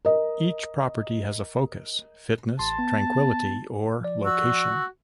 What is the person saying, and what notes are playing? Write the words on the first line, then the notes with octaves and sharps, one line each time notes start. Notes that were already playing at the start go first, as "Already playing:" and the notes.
Each property has a focus: fitness, tranquility, or location.
A#4 D#5
A1 A5 C6
B3
F3 D5
F#4 E6